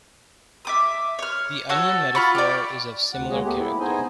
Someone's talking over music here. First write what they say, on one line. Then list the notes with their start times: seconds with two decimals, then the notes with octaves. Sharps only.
The onion metaphor is of similar character.
0.65 E5 D6 D#6
1.19 C#5 F6
1.69 F#4 A4 C#5
2.15 F4 B5 C#6
2.35 G4 D5
3.13 D2 F#5
3.30 G#3 A#3 G#4 C#5 D#5
3.45 A3 B3 G4
3.58 E4
3.80 B3 D#4 G#4 C5 D#5 G#5